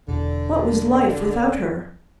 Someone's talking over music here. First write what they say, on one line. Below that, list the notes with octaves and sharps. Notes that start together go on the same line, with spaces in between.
What was life without her?
E1 D3